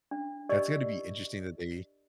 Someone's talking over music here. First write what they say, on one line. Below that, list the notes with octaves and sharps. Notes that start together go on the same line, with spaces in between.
That's gonna be interesting that they
D4
G4 A#4 D5 D#5